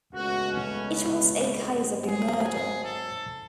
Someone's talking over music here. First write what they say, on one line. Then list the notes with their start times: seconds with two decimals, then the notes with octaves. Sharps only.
It was a case of a murder.
0.13 C#2 B2 A3 F#4
0.52 C#4
0.91 B3
1.68 G#1 G#2 F#3
2.07 G#4
2.45 G#4
2.84 A4